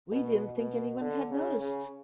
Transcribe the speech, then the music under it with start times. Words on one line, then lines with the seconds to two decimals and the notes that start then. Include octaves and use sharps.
We didn't think anyone had noticed.
0.11 B2
0.56 B2
1.01 D3
1.30 C#3
1.60 C#3